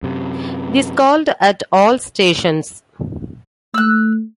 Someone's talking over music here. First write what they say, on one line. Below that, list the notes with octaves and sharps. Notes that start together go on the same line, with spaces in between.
This called at all stations.
F#2 C3
A3 E6 F#6